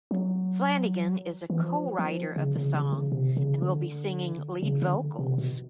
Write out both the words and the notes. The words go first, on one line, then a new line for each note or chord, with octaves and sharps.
Flanagan is a co-writer of the song, and will be singing lead vocals.
F#3
E3
F3
F3
C#3
C#3
C#3
C#3
C3
C#3
D3
C#3
D3
C3
B2